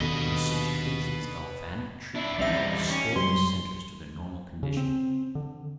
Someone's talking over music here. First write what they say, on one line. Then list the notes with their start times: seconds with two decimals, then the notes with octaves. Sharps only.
In such cases galvanic treatment will restore the centres to their normal condition.
0.01 D#2 B2 D3 B4 D#5
2.15 D4 E4
2.39 B1 G3 C4 D#4 E5
2.50 E3
2.90 C#4
3.16 F#2 F#3 G3 C6
4.63 C#3
4.77 C4
5.35 D3